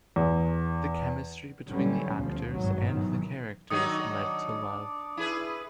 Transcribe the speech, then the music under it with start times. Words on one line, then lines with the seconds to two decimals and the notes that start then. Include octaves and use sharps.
The chemistry between the actors, and the characters, led to love.
0.16 E2
1.69 D3 E3 F#3 G3 C#4
2.16 D2 B2 F3
2.52 G#1 G2 F#3
2.90 B2 D#3 E3 F#3
3.70 D#3 F#3 D4 D#4 D6 D#6 C#7
5.17 E4 G#4 B4